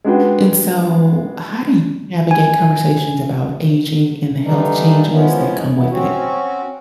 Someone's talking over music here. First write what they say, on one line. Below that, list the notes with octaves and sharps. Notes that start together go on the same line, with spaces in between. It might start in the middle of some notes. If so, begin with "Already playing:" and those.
and so, how do y navigate conversations about aging and the health changes that come with it?
G#3 C#4 D4 F#4 B4 G5
G#5
D3 E3 G3 D4 D#4
F3 G#3 B3 C#4 E4
C#3 E3 B3 E4
C4 C#4 F#4